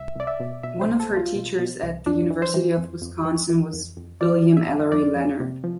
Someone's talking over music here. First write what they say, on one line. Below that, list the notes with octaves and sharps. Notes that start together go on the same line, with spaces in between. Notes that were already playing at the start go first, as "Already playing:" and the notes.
One of her teachers at the University of Wisconsin was William Ellery Leonard.
Already playing: C2 E5
C2 D5
E5
B2
B2 E5
C5
C2
A4
C2
F4
B2
B2
C2
F2 D4
E3
C5
E3
F2
F2
E3
E3
F2
F2
E3 D5
E3
E5
F2
F2 D5
F2
C3
F3